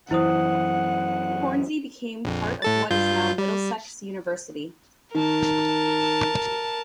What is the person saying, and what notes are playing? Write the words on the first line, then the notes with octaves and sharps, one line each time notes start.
Hornsey became part of what is now Middlesex University.
F#2 E3 E4 C5 F#5 D#6
A#1 F2
A2 A4 A6
G2 F4 G6
G3
D#3 A#4 A5